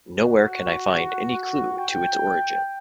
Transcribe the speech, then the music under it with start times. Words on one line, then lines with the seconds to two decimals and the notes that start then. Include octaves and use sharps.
Nowhere can I find any clue to its origin.
0.22 F#4
1.77 G5